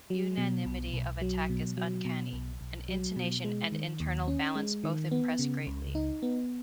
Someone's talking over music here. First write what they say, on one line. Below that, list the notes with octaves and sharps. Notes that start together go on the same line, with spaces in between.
Unanimity of attack is uncanny, and intonation and internal balance both impress greatly.
F#3
B2
B1
B1
F#3
B2
F#3
B2
B1
B1
F#3
B2
G#3
D#3
D#2
C#4
G#3
D#3
B3
C#3
C#2
D#4
B3